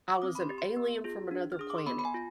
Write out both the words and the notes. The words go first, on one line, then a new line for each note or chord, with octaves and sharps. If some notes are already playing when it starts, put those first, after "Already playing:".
I was an alien from another planet.
D6
C4 D#6
B5
C6
G4
C6
B3
F4 G#4
D4
F6
G#4 D#6
D6
C6
B3 B5
B5
G#5
F4